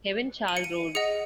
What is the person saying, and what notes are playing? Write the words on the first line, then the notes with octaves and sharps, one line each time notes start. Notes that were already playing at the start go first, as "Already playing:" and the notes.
Kevin Carl Rhoades.
D#7
C#7
D#7
G#4 D#5 F#5 C#7